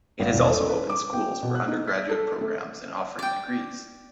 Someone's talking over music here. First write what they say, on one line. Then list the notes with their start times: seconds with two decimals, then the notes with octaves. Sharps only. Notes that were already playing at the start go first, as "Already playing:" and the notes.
It has also opened schools for under graduate programs and offering degrees.
0.20 G#1
0.34 E1
0.49 A4
0.69 B4
0.90 D6
1.13 G5
1.43 B2
1.55 F#6
1.68 D#4
1.87 B6
2.09 A4
2.41 A3
3.19 D5 G5